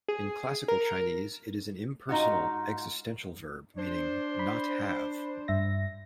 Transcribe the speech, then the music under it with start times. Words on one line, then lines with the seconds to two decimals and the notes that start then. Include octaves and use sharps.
In Classical Chinese, it is an impersonal existential verb meaning "not have".
0.08 G#4
0.68 A#4
2.09 G#2 D#4 F4 F#4
3.76 D4 C5
4.39 B5
5.48 G2 E5 A#6